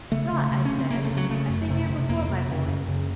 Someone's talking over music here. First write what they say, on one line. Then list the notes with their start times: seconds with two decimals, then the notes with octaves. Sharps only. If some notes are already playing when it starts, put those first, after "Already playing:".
'Rot,' I said; 'I've been here before, my boy.
0.12 C#3 A3
0.32 C#3
0.52 C#3
0.65 C#4
0.72 C#3
0.78 C4
0.90 C#3 A#3
1.04 A3
1.11 C#3
1.17 F#3
1.30 C#3 A3
1.50 F#2
1.70 C3
1.90 C3
2.09 F2 A#3
2.29 C3
2.49 C#3
2.68 F#2
2.88 C#3